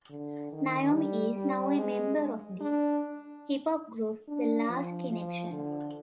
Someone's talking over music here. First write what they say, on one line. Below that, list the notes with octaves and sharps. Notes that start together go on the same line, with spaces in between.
Naomi is now a member of the hip-hop group The Last Kinection.
D3
D#3
G3
G3
G#3
D4
D4
F3
F3
D3